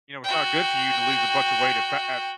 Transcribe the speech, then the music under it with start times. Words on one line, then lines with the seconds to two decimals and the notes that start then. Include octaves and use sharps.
you know, it's not good for you to lose a bunch of weight at f at,
0.24 F#4 G5